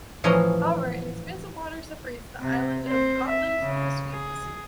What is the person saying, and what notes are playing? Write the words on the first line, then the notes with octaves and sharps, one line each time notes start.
However, an expanse of water separates the island of Gotland from the Swedes.
A2 E3 F3 C#4 D#5 A#5
C3
C4 C5
E5
C#3
G#4